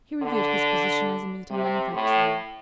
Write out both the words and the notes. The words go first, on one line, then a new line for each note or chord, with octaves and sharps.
He reviewed his position as a Milton manufacturer.
D3
C3
A2